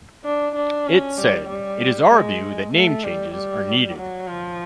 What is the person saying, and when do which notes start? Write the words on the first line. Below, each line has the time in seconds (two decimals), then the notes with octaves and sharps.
It said: It is our view that name changes are needed.
0.24 D4
0.56 D4
0.87 C#4
1.18 G3
1.49 G3
2.10 G#3
2.73 A3
3.04 G3
3.34 G3
3.97 F#3
4.27 F3